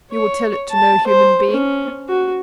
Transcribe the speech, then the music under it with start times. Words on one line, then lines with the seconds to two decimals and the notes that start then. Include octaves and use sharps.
"You will tell it to no human being?"
0.12 C#5
0.71 A5
1.07 C5
1.51 C#4
2.09 F#4